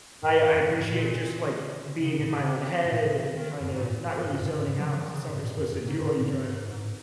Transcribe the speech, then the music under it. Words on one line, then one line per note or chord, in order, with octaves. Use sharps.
I I appreciate just, like, being in my own head and kinda not really zoning out, 'cause it's not what you're supposed to do while you drive.
G#2
F#2
G#2
A#2
C#3
A#2
C#3
G#2
A#2
C#3
D#3
F#2
G#2
A#2
G#2
F#2
G#2
C#3
F#3
D#3
D#3
D#3
C#3
G#2
A#2
F#2
F#2
A#2
G#2
C#3
A#2
G#2
G#2
G#2